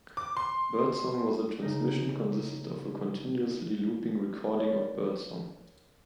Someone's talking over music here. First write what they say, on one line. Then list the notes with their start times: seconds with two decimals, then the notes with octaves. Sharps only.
"Birdsong" was a transmission consisted of a continuously looping recording of bird song.
0.17 D6
0.37 C6
1.62 C#3 D#4
4.58 A#4 C#5 D5